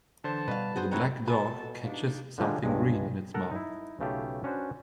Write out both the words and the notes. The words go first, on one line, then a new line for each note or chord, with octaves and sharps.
The black dog catches something green in its mouth.
D3 E3 C5 A5
B2 G3 B4 F5
F#4 G#4 C5
F#3 A3 C4 E4 F#5 A#5
B2 A4 B4 G#5 A5
D4 D#4 G4 F5
D3 F3 G3 G#3
C#2 G2 G#3
A4 A#4 F#5
D#4 E4
B1 C#3 A3 F4 G4
C#4 D4 F#4 B4 C5